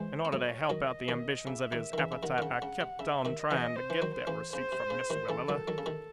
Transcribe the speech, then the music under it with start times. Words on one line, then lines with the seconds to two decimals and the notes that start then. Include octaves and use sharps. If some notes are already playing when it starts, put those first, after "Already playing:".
In order to help out the ambitions of his appetite I kept on trying to get that receipt from Miss Willella.
Already playing: E3 G#3 C5
0.25 C4
0.32 F#3 A3 C#5
0.70 D#3 F#3 D#5
1.08 C3 D#3
1.47 C#3 E5
1.72 C3 D#3
1.93 D#3
1.98 C#3 E3
2.12 C#3
2.23 C3 D#3 F#5
2.38 D#3
2.42 C#3
2.62 C#3
2.81 C3
2.99 C#3 E5
3.25 C3 D#3
3.39 D#5
3.51 C#3 E3
3.76 C5
3.90 E3
4.02 D#3 F#3
4.14 C5
4.27 C#3 E3
4.52 C#3 C5
4.72 C3
4.90 C#3
5.10 C3 D#3
5.29 C#3 E3 A4
5.49 D#3 F#3
5.68 D#3 F#3
5.78 C#3
5.86 C3 D#3